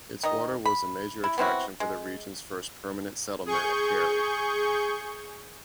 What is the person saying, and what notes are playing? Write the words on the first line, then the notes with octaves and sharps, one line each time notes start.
Its water was a major attraction for the region's first permanent settlement at Carey.
D#3 D#5
B5
E4
B3 C4 E4 F#4
G#3
G#4 C#6 G6